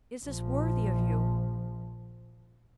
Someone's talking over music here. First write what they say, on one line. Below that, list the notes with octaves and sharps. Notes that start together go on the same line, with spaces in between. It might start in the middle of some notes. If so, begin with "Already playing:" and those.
Is this worthy of you?
A#1 F3